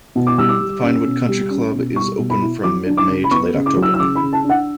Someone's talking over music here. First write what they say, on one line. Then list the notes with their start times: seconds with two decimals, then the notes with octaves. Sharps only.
The Pinewood Country Club is open from mid-May to late-October.
0.15 B2
0.27 D6
0.38 G3 E6
0.49 D6
0.60 G3
0.83 C#4
1.06 B2
1.29 G3
1.50 C#4
1.74 B2
1.96 G3 C#6
2.18 B2
2.30 B5
2.42 E4
2.63 F#3 D6
2.86 D4
2.97 D6
3.09 C#3
3.24 B5
3.31 B3 C#6
3.54 C#3
3.66 D6
3.77 F#3
3.82 E6
3.94 E6
3.99 C#3 D6
4.15 B5
4.22 C#3
4.33 A5
4.44 D4
4.49 F#5